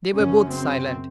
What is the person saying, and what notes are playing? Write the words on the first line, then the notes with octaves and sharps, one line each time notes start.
They were both silent.
F#2 C#3 C#4
C4